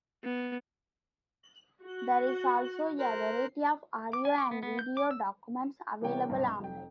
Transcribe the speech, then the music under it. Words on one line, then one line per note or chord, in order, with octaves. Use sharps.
There is also a variety of audio and video documents available online.
B3
F#4
A#4 C5 F#6
D6
G#5
D6
B3
B3
G6
D6
E6
C3 E3 G3 A#3 C#5 G5
B1 G2 C3
F1 G5